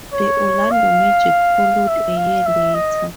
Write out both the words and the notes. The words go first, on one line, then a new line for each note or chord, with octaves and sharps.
The Orlando Magic followed a year later.
C#5
F5
E5
F5
E5
D#5